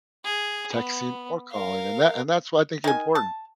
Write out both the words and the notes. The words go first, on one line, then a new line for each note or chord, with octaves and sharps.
texting or calling, and that and that's what I think is important,
G#4
B3
A#4 F5
D#3 G#5
A5